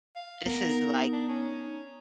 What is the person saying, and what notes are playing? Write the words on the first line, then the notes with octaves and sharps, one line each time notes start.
this is, like,
F5
B3 A#4
D#4
D4
C#4